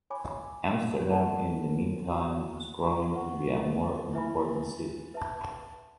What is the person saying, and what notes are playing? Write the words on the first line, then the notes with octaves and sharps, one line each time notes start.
Amsterdam in the mean time was growing to be a more important city.
C#5 G#5 B5 D6
A4 D5 F#5 A5
F#4 C#5 F#5 A5
B4 F#5 C#6
E4 B4 E5 G#5 B5
B4 E5 A5